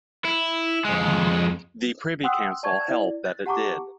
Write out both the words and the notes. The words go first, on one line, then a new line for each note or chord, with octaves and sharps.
The Privy Council held that it did.
E4
F2 G#3
F#5 G5 C6 D#6 E6 F#6
D5 A5 C#6 G#6
E4 D5
F#6 A6
G4 F#5 A5 A#5 C#6 D6